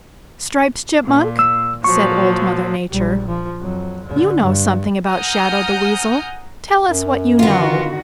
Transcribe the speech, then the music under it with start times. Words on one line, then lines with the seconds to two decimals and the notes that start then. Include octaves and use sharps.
"Striped Chipmunk," said Old Mother Nature, "you know something about Shadow the Weasel, tell us what you know."
1.04 A#2
1.39 E6
1.84 A#2 F3 F#3 C#6
2.90 A#1 G3
3.28 F3
3.61 F2 F#3
4.05 D3
4.39 G2
5.10 F#5 G#5 A#5 D#6 F6 G6
6.88 F#2
7.39 D3 D#3 B3 F4 F#4